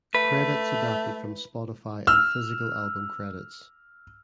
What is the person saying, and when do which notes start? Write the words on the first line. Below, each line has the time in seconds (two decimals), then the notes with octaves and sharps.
Credits adapted from Spotify and physical album credits.
0.15 A3 B4
2.07 E6 F6